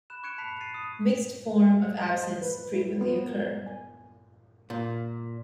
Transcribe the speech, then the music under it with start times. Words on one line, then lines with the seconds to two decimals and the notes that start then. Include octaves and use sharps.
Mixed forms of absence frequently occur.
0.10 B5 F#6 E7
0.23 C#6 F#6 G#6 C#7 D7 E7
0.38 A5 B5 B6 C7 F7
0.61 A6 C7 D#7
0.74 D#6
1.98 D#5
2.11 C5
2.41 B4
2.74 E4
3.01 B3
3.27 A#4
3.66 G#5
4.70 A#2